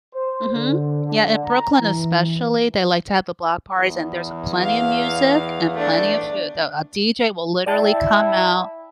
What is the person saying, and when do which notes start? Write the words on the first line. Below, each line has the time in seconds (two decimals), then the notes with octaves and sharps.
mhm, yeah, in Brooklyn, especially, they like to have the block parties, and there's a plenty of music, and plenty of food though, a DJ will literally come out
0.14 C5
0.54 D3
1.04 D3
1.44 A#5
1.80 E3
3.78 E2
4.63 F5
5.74 A3 D4
7.66 E4 D5 G5 A5